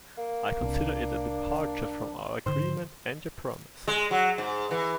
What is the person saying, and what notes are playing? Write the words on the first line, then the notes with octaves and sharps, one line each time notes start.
I consider it a departure from our agreement and your promise.
A#3
C2 D4
G#2 D3 D#3 C5
G#3
F#3
G#2
E3